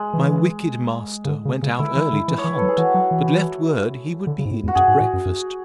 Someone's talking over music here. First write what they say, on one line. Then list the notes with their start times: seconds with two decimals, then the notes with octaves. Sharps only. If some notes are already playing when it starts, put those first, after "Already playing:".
My wicked master went out early to hunt; but left word he would be in to breakfast.
Already playing: G#3
0.13 E3
1.25 C#3
1.28 D3
1.45 C#3
1.62 C#3
1.79 D3 E4
1.95 E3
2.12 D3
2.28 E3
2.38 C#5
2.44 E3
2.47 B4
2.58 F#3 A4
2.68 G#4
2.78 E3 F#4
2.94 F#3
3.11 E3
4.27 D3
4.39 C#3
4.45 G#2
4.51 A2
4.63 E2
4.68 F#4
4.75 F#2 G#4
4.88 G#2
5.00 A2
5.13 F#2
5.25 F#2